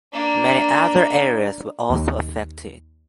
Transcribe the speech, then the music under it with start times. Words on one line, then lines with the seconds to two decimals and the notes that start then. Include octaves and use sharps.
Many other areas were also affected.
0.13 A#3 D4
1.90 D#2